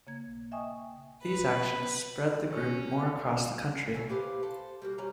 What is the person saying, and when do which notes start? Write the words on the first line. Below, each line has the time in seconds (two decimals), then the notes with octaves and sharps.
These actions spread the group more across the country.
0.07 C#3 A#3 G#6
0.52 D#5 E5 G5 G#5 C#6 D#6
1.22 B4
2.49 C#4
3.94 C#4 E4 G#5 A5
4.10 G4 B4 C5 F5
4.43 A4 C5
4.82 G3 A#3 F#4
4.98 G3 A3 C#4 A#5